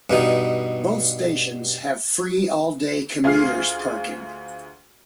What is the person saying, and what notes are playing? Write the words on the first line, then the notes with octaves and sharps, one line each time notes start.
Both stations have free all-day commuters parking.
G2 B2 D#4
D2 F4 G#4 F6 C7